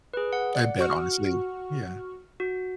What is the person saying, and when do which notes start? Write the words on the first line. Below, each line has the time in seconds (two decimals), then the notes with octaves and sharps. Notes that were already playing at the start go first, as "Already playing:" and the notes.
I bet, honestly. Yeah.
0.14 G#4 B4
0.33 F#5
0.55 D5
0.79 F#4 C#6 F6
2.40 F#4